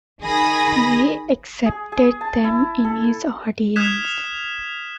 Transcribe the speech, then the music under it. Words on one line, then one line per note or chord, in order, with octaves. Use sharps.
He accepted them in his audience.
D#3 G#4 B5 D#6 A#6
G#4
G#4
A5
E4
A4
D#6 F6 F#6 G#6 B6 E7